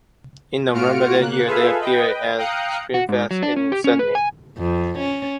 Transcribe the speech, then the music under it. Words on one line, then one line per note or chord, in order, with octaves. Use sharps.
In November that year they appeared at Screamfest in Sydney.
A2 F4 F#4 F6 C#7 D7
C#3 A#3 F#6
F4 G#4 A4 B4 E5 F5
B4 D#5 G5
F5 G5 A#5 D#6 F#6 C#7
F#4
G#2
F#3
D4
C#4
G4
C#4
B4
G#5
F2
C#4